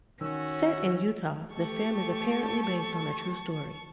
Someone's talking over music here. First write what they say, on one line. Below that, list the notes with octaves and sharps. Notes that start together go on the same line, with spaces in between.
Set in Utah, the film is apparently based on a true story.
D#3 C#4 F#4 E6
A3 G4 A4 A5 C#6